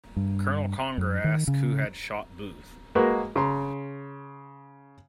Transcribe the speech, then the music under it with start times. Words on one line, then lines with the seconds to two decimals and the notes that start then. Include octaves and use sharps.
Colonel Conger asked who had shot Booth.
0.17 G2
0.98 F#2
1.24 D#3
1.48 C#3
2.95 G#3 A#3 F#4 B4
3.36 C#3 A#5 C6